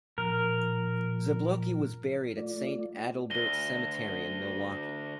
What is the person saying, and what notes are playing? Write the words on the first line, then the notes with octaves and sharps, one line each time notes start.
Zablocki was buried at Saint Adalbert's Cemetery in Milwaukee.
A#2 F3 A#4
A3 F4 D5
D2 A#6 D#7 G7